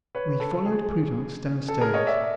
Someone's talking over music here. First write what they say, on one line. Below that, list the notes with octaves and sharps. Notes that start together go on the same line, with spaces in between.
We followed Prudence downstairs.
B4 C#5
A4
G#4
A4
G#4 A#4
C#5 D#5
D5 E5